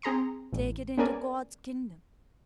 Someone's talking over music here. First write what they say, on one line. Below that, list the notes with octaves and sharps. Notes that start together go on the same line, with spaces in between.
Take it into God's kingdom!
C4 G#4 A#5 C6 C#7
A1
B3 C#4 G#4 A#4 D5 G#5